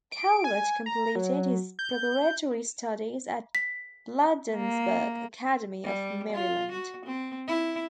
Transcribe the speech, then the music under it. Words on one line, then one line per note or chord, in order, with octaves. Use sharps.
Calvert completed his preparatory studies at Bladensburg Academy of Maryland.
D7
G#5
A#5
F#3
G6
B6
A#3
G3
F4
F#4
C4
E4